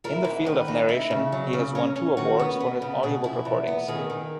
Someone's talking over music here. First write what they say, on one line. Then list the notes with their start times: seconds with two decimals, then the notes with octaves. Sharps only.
In the field of narration, he has won two awards for his audiobook recordings.
0.04 E4 A#4
0.25 G#2
0.46 D#3 B4
0.68 D#4
0.89 E4
1.11 C#3
1.32 F#3
1.53 C#3
1.75 C#4 A#4
1.96 C#4
2.17 D#3 F#4
2.39 B3
2.60 B3
2.82 C#3
3.03 B2 G#4
3.24 E4
3.45 E2
3.67 B3
3.88 D#3 G#4
4.10 D#3